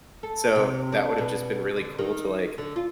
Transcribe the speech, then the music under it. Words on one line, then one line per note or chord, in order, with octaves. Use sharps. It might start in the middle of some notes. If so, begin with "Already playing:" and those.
So, that would’ve just been really cool to, like,
A4
C3
D4
B2
D3
D#3
D3
F4